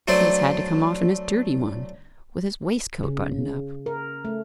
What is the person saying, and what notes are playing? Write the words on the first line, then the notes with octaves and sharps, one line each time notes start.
He has had to come off in his dirty one, with his waistcoat buttoned up.
F#3 A3 D4 C5 D5
C#3
A#4
A3